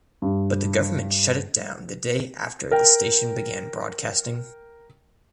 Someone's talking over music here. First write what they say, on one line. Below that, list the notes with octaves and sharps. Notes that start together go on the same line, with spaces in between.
But the government shut it down the day after the station began broadcasting.
G2
A#4 G5